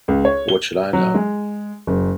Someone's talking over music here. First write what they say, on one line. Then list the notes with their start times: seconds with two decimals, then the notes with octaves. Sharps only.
But what should I know?
0.08 C#2
0.25 C#5
0.49 G7
0.93 F#3
1.14 G#3
1.87 F#1